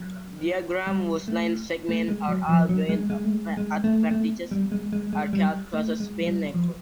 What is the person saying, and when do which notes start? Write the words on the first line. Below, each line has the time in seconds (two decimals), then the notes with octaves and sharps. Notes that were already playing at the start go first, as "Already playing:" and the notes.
Diagrams whose line segments are all joined at vertices are called "closed spin networks".
Already playing: F#3
0.87 G3
1.28 A3
1.89 A3
2.08 G#3
2.29 F#3
2.49 F3
2.69 F#3
2.89 G#3
3.10 G#3
3.24 A3
3.30 G#3
3.57 G#3
3.84 A3
4.11 A3
4.51 G3
4.72 G#3
4.93 G#3
5.13 G#3
5.33 G3
5.73 A3
6.00 G#3
6.21 F#3
6.27 G3
6.54 F3